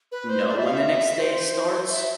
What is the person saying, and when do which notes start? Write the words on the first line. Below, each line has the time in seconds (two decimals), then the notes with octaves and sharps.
know when the next day starts,
0.12 B4
0.29 C5
0.48 D5
0.57 E5
0.65 F5
0.75 E5
1.19 C5
1.91 E5